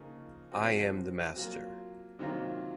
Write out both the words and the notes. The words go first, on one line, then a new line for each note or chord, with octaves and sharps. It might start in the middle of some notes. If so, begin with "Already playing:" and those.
I am the Master.
Already playing: C#3 F3 A#3 D#4
C3 F3 C4 F#4
F#3 A#3 F4
C3 D#3 F#3 A#3 F4